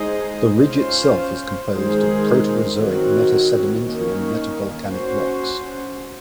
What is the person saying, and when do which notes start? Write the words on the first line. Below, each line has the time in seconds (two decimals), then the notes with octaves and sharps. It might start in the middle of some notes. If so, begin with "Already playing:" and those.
The ridge itself is composed of Proterozoic metasedimentary and metavolcanic rocks.
Already playing: G#3 D#4 G#4 C5 D#5
0.65 C#4 F4 C5
1.72 D#3 G#3 D#4 G#4 C5
2.77 D#3 F#3 C4 F#4
3.84 D#3 A#3 C#4
4.89 C#4 F#4 C5